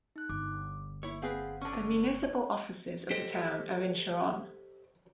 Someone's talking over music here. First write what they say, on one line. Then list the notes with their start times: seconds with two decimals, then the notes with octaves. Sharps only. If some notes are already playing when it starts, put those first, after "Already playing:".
The municipal offices of the town are in Sharon.
0.16 D#4 F#6
0.29 G1 D6
1.03 A#3 E4 C#5
1.22 C4 G#4 B4 C5 F5 F#5
1.62 D3 C#4 A5 C#6
3.11 G4 A4 C5 D#5